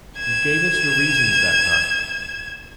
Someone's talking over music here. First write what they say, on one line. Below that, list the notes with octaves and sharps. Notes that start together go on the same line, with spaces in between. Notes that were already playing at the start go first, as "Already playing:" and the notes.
You gave us your reasons that night.
G#6 E7